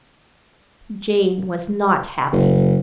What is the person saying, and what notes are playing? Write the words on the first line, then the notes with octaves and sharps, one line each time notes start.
Jane was not happy.
F#1